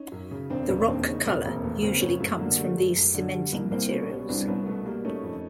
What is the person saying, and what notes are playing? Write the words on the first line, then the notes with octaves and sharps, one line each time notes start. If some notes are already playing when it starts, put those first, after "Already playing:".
The rock color usually comes from these cementing materials.
Already playing: C#4 D#4
F#2
C#3
E1 C4 D4
E1 B3 C#4
D#2 C4 D4
C#3 C#4 D#4
E1 B3 C#4
E1 A#3 C4
D#2 A3 B3
C#3 A#3 C4
F#2 B3 C#4
F#2 A3
D3 A#3
G3 A3
F#2
F#2
D3
G3
C2 A#3
C2 A#3 C4
B2 B3 C#4
G3 B3 C#4
C2 C4 D4
C2 B3 C#4
B2 A3 B3
G3 A#3
A3 C#4 D#4
F2